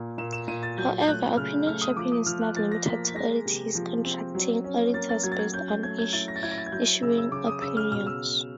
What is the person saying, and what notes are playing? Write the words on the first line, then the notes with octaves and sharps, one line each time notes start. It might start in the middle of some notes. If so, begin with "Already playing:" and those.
However, opinion shopping is not limited to auditees contracting auditors based on issuing opinions.
Already playing: A#2 A#3
A#2 E7
E7
A#2 D#7
A6
F#3 G6
G6
A3 F#6
C#3 F6
A3 F6
D#6
F3 D6
D#6
F3 F6
F#6
F3 A6
A#6
A#3 B6
B6
G#3 A#6
C3
F3
C4
F#3
C#4
A#3 A6
A6
F#3 G#6
A6
G#6
C#4 G6
G6
A3 G#6
G#6
E4 A6
A#6
A6
E4 G#6
A#6
A6
G#6
F#3 G6
C#3 E6
E6
C#3 D6
D#6
C#3 E6
F6
B2 F6
E6